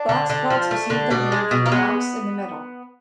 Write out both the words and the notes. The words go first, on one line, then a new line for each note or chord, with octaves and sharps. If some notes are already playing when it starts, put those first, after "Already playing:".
Box plots received their name from the box in the middle.
Already playing: D4
D3
D3
F3
A3
D3
B2 D4
G#3
B2
A#3
G#3 B3